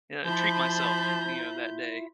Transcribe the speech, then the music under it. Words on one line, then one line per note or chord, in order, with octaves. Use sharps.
And I treat myself, you know, that day.
F3 E4 F4 C5 E5 A5 B5 G6